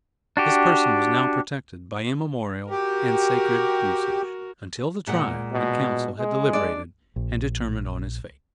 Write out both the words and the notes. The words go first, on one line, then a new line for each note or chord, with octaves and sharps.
His person was now protected by immemorial and sacred usage, until the tribe in council had deliberated and determined on his fate.
D4 F#4 G4
F#4 G4 A#4
A#2 G#3 F#5
B2
G#3
D4 D5
A#1